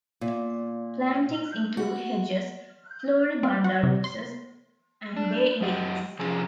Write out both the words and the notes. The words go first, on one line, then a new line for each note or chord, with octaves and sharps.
Plantings include hedges, floribunda roses, and day lilies.
A#2
F#4
C4
F#4
C3
C6
D4
F#2 F#3 G#3 G4 D#5 F#5
C3 F3 C#4 G#4 G#5 A#5